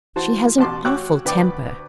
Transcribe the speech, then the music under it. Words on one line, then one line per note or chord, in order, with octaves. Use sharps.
'She has an awful temper.'
E3 F#4 C5 A5
A1 B2 A5 C6 D6
F#4 C#5 G5 D6 E6 F#6
D2 B4 D5 G5 D6